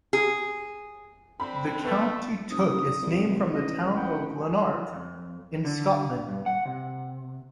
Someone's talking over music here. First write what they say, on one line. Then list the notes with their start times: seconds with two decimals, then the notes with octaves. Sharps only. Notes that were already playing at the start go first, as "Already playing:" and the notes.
The county took its name from the town of Lanark in Scotland.
0.13 G#4
1.40 D3 C4 B5
1.85 A3 B3
2.50 F#1 D#6
3.02 C2
3.52 A1 D#5
3.94 F#5 G5 B5
4.33 G#5
4.93 F2
5.65 D3
6.29 G2
6.46 F#5
6.66 C3